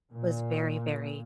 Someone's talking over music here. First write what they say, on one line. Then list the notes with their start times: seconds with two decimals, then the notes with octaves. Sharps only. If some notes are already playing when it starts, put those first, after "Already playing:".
was very, very
0.11 A#2